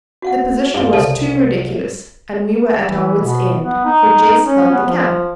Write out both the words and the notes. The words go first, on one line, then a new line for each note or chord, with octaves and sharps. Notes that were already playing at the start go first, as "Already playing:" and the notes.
The position was too ridiculous, and we were at our wits' end; for Jess held the camp.
F#4 F5 F#5
G2 F4
C2 C#3 A4 A5
E3
B2
B3
D#4
C#4
B3
F3